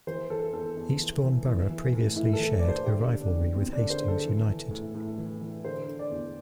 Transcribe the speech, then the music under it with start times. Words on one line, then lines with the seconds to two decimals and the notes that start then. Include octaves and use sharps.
Eastbourne Borough previously shared a rivalry with Hastings United.
0.07 E3 C5
0.30 E3 A4
0.53 E2 A4
0.77 E2
1.00 E3
1.23 E3
1.46 E3
1.69 E3
1.93 A2
2.16 A2 E4
2.33 A4
2.39 E3
2.59 E3 D5
2.68 C5
2.86 D3 G4
3.09 D3
3.21 D4
3.32 E2
3.55 E2 C4
3.73 D4
3.79 D3
3.90 C5
4.01 D3
4.08 A4
4.25 E3
4.48 E3
4.71 A2
4.95 A2
5.18 E3
5.41 E3
5.64 D3 C5
5.88 D3
5.99 D5
6.10 E2